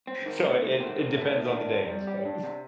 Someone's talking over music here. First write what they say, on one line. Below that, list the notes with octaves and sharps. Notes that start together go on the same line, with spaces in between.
so it it depends on the day, I suppose.
C4
D#3
A3
D#3
C4
D#3
A3
D#3
D4
C3
G3
G4
D4
C3